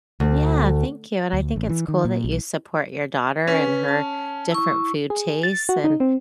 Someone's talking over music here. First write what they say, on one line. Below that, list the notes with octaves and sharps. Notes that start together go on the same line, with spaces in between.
Yeah, thank you, and I think it's cool that you support your daughter and her different food tastes, and
D2
D2
A1
E3
D#3
A#2
B1
C#4 B4
A5
E4 C#6
G#4
A6
F#4
D#4
C4